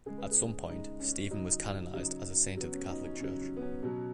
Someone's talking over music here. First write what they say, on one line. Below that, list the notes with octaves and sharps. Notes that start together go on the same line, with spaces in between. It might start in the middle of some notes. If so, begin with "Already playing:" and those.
At some point, Stephen was canonized as a saint of the Catholic Church.
C#3 G#3 G#4
B4
G#4
C#3 G#3 D#4
C#4
C#3 F#3 D#4
C#3 F#3 D#4
C#3 F#3 B3
C#4
D#4
C#4
C#3 F#3 C#4
C#4
B3
C#4
B2 F#3